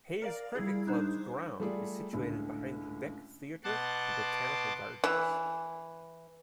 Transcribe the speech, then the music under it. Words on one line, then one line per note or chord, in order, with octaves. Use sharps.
Hayes Cricket Club's ground is situated behind the Beck Theatre and Botanical Gardens.
A#4 D5 F5
G3 E4 G#4
D4 D#4 C5
G3 A3 F4 G#4 D5
C#2 A2 D3
B2 F#5 A5 C6 D6
E3